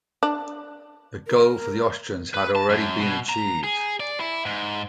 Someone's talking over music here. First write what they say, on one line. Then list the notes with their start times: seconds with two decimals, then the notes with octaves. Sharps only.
The goal for the Austrians had already been achieved.
0.23 D4
1.27 A#4
2.34 B4
2.55 A5
2.70 F#2
3.00 B2
3.29 A#5
3.64 G#4
4.00 D5
4.20 E4
4.45 G#2